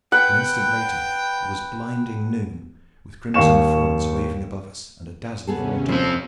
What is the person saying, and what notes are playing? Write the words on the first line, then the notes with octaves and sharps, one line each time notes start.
An instant later it was blinding noon, with crimson fronds waving above us and a dazzle of water.
B4 F#5 G5
D#2 F5 C#6 E7
D#2 C3 B3 C#4 G#4 A4
F2 C4 C5